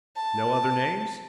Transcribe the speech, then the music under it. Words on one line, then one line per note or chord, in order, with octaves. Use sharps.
"No other names?"
A5